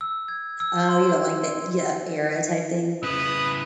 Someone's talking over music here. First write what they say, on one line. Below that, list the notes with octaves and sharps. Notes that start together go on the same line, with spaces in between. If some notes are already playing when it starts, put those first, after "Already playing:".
Oh, you don't like the yeah, era type thing?
E6
G#6
E6
C6
C#3 E4 B4 D#6